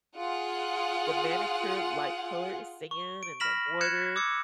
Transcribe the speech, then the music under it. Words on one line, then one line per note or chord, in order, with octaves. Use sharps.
the manicure-like color sand and the water,
F4 G#4 F#5
C#6
D7
B5 F6 A#6 B6 E7 F#7
F#6 G#6 C#7 E7
D6 E6 G#6 C#7